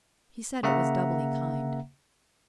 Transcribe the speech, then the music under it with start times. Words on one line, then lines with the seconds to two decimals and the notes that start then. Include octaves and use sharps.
He said it was doubly kind.
0.63 C#3 A#3 E5 F#5 A#5